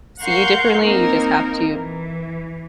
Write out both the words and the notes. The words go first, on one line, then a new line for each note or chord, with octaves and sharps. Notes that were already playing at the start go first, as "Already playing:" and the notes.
see you differently. You just have to
A#4 F5 F#5 C6 C#6 G6
A#3 C4 D#4 A#4
E3